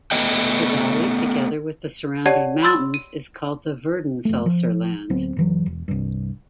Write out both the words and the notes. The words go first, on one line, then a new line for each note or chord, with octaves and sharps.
The valley together with the surrounding mountains is called the Werdenfelser Land.
A3 B3 D#5 G5
G4 C#5 D5 F#5 A5 G#6
B5 C6 E6 A6
D#7
F1 A3
F3
D1 F#3 B3 C4
F#1 E3 F#3
E1
C2 G2